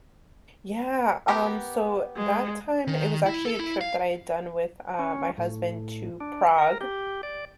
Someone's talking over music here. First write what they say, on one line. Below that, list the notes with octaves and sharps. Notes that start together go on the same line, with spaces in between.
Yeah, um, so that time it was actually a trip that I had done with, uh, my husband to Prague,
B3 G4 A#4
G#3
D#3
E4
A4
E4
F5
C#4
A2
D4
A#4
G4
D5